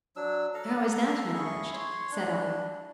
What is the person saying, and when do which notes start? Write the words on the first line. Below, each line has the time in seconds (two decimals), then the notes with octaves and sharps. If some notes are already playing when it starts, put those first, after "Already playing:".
"How is that managed?" said I.
0.16 F#3 D4 E6
0.54 A4 F5 A#5
1.34 E4 G#4 C#6
1.73 C#5 C6
2.12 D4